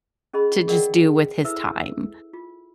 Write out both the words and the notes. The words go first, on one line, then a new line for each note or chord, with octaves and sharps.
to just do with his time.
C#4 G#4 D#5 B5
G#4 A#4 D5 D#5 F#5 G5
E4 A4 B4 E5 E6
F4